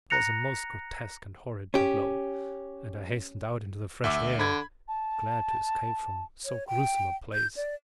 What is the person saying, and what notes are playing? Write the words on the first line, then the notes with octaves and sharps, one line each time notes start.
It was a most grotesque and horrid tableau and I hastened out into the fresh air; glad to escape from so gruesome a place.
A#5 F#6 A#6 C#7 F7
C#4 G4
D2 E5 D6
D3 B5 G#6
A5
C#5
G5
G6
D5